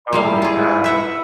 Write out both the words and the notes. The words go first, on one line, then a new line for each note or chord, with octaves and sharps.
Oh my god.
G3 G#3 E4 F5
F4 G#4
B4 E5 F#5